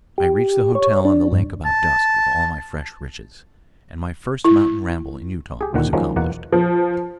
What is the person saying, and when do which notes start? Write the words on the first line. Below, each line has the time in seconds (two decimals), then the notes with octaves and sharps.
I reached the hotel on the lake about dusk with all my fresh riches, and my first mountain ramble in Utah was accomplished.
0.18 G4
0.75 C#5
1.05 D4
1.32 G2
1.65 A5
4.44 E4
5.61 G4 G#4
5.74 D2 A#2 D#3 F#5
5.93 D#3 F3 F#3 G#3 A#3 C#4
6.16 E2 B2 A#3 F#5
6.52 F3